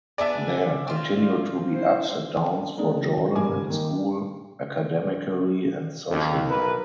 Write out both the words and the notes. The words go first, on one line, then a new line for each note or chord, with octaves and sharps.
There continue to be ups and downs for Jordan at school academically and socially.
B3 D4 G#4 D5 E5
C4 F4
E4 C5
G#3 A#3 D4 D#4 A#4
F#3
G#1 G2 A#4 G#5 D6
D#3 A#3
D#2
B1 D#4 A#4 B4